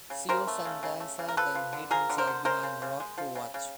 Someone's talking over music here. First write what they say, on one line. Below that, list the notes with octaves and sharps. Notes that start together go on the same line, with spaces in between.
Seosandaesa then hid himself behind a rock to watch.
C#3
C#3 A#4 C5
A3
C#3
C#3
A3
C#3
A#4
F3 A4 B4
F3
D3
F3 G#4 A#4
D3
A#4 C5
D3
G#3 A#4 C5
C#3
C#3
G#3
F3
C#3
C#3